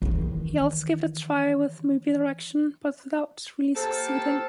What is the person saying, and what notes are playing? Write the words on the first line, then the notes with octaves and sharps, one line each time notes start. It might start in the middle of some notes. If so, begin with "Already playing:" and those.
He also gave it a try with movie direction, but without really succeeding.
D#3 E3
A#3 G4 A4 C5 A5